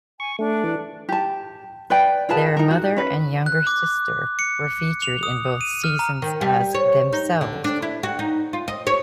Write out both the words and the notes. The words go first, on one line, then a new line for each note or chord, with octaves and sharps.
Their mother and younger sister were featured in both seasons as themselves.
G#5 C#6
A3 D4
E3
G4 A5
B4 D5 G5
F4 G#4 B4 A5
D#4 A#4
F#4
C#4 B4
F#6
D6
C#7
F7
D#6
D#7
F6
A#5
D#3
G3
C#5
D#4
D3
D4
E4
F#4
D#4
F4
D#5
C#5